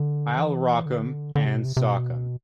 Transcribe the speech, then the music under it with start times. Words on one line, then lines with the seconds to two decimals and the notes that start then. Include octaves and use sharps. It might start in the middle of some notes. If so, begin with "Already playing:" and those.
I'll rock 'em and sock 'em!
Already playing: D3
0.37 E3
0.86 D3
1.36 D3
1.45 C3
1.56 B2
1.65 C3
1.77 C3
1.85 B2